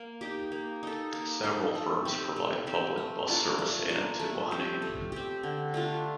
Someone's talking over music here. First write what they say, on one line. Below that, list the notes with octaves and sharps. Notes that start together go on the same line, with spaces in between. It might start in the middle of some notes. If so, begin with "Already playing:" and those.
Several firms provide public bus service in and to Wageningen.
Already playing: A#3
D#4 G4
A#3
D#4 A4
A#3
D#4 A4
A3
C4 G4
A3
C4 G4
A3
D4 F4 A#4
A3
D4 F4 A#4
A3
C4 G4
A3
C4 G4
D3
A3 D4 F4